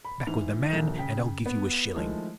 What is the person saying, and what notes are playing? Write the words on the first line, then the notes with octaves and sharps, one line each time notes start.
Come back with the man, and I'll give you a shilling.
B5
G#2 E3 F7
D#1 A#1 A#3
C#3 G5 B6
B3
D#3 F3 G#3 A3 E4